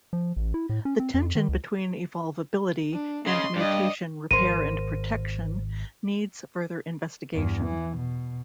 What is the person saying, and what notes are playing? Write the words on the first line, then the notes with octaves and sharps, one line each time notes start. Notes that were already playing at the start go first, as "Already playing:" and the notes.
The tension between evolvability and mutation repair and protection needs further investigation.
F3
A1
E4
A2
C#4
C4
F2
D#3
C#2
D4
C#3 D#5 C6
G2 D5 D#5
G#1 A#4 C5 D#7
E2 G2
E3
B2